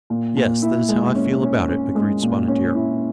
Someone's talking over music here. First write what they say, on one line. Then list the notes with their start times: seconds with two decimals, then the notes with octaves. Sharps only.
"Yes, that is how I feel about it," agreed Spotted Deer.
0.10 A#2
0.37 A#2
0.62 E4
0.89 G#3
1.15 C#4
1.43 C#4
1.69 C#4
1.95 G#3
2.22 A#2
2.48 C#4
2.75 E4